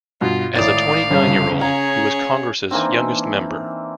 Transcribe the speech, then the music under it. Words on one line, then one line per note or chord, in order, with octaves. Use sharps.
As a twenty-nine-year-old, he was Congress's youngest member.
G2 B2 F4
G#1 A2 D5 F5 D#6 A6
G1 C#3 G3
C#4 G#4 C#5 F5 A#5
E3 A#3 C4 D4 D#4 G#5